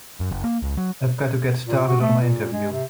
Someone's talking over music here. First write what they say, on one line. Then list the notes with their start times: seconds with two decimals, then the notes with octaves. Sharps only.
I've got to get started on my interview.
0.20 F#2
0.32 F#1
0.44 A#3
0.62 C#2
0.77 F#3
1.67 A#2
1.88 F#4
2.01 A3
2.21 A#2
2.53 G#3
2.72 C3